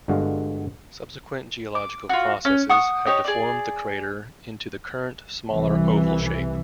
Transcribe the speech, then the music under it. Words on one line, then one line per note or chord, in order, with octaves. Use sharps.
Subsequent geological processes have deformed the crater into the current smaller oval shape.
G1 G2 D3 G#3 F#4 F5
D6
F4 F#4
C#4
F#5 C#6 D#6
D#4 G4 C#5
G#4 D5
C2 E3